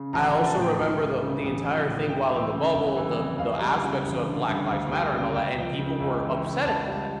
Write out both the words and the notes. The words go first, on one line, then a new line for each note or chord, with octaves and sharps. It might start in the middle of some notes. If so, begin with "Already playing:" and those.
I also remember the the entire thing while in the bubble, the the aspects of Black Lives Matter and all that, and people were upset at that,
Already playing: C#3
A1 A#5
F3 A#5
A5
A2
G5
C#2
G3
C#3
A1
F3
A2
C#2 G5
E3
C#3
G1
E3
F2
C#2 F5
G3
C#3
A1
D3
G2
D2 F5
G3 G5
C#3
C#2 G5
F3
C#3
C#2
E3
C#3
C#2 A5
G3